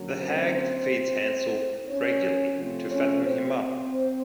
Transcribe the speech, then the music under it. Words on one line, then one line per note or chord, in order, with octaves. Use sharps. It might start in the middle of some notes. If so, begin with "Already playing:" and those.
The hag feeds Hansel regularly to fatten him up.
Already playing: D3 F#3 A#3 C#4
C4 C5
C#4 C#5
C3 F3 A3 C4
C#4 C#5
C4 C5